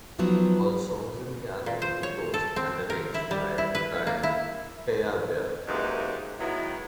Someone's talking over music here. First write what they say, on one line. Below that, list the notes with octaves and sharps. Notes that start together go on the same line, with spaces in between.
All songs in the album composed and arranged by Ryan Cayabyab.
D#2 D#3 F3 F#3 B3
A#2
C5
C#5
A4
C4
A#4
E4
G3
E4
B4
A#3
E4
F#2 C3 E3 G#3 A#3 D#4
D#3 F#3 G#3 B3 E4